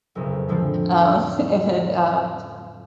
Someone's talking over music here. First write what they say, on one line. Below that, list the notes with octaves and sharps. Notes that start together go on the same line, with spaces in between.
um, and, um,
F#1 B1 F2
A2 D3 F3 G#3 C4